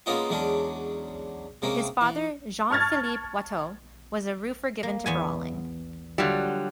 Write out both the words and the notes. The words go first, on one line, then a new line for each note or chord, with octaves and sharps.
His father, Jean-Philippe Watteau, was a roofer given to brawling.
G#3 A#3 B3 C#4 D#4 F4
E2 F#3 G#3 C#4 D4
C3 G#3 A#3 C#4
E3
A5 C#6 F6 G#6 A6
A#3
E2 B3 G#5
D3 F#3 G3 F4 E5